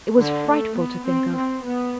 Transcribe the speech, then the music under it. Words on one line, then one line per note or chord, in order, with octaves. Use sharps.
It was frightful to think of.
D3
A3
B3
C4
C4
B3